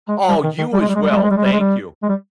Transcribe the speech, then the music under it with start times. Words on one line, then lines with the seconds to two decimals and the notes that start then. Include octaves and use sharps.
Oh, you as well. Thank you.
0.09 G#3
0.29 G3
0.44 D#3
0.58 D#3
0.73 G3
0.81 G#3
0.88 G3
0.95 G#3
1.02 G3
1.10 G#3
1.16 G3
1.23 G#3
1.31 G3
1.37 G#3
1.44 G3
1.52 G#3
1.60 G3
2.03 G#3
2.09 G3